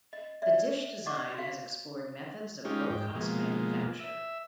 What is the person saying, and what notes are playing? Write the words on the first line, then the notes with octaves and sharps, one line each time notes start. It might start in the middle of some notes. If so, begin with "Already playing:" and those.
The dish design has explored methods of low-cost manufacture.
D#5
D5 E5
D5 D#5 F#5 C#6 D6
F#4 F5
G#3 C#4 D#4 F4 G4
G#2 G5
B2 F3 G#3 A#3
E5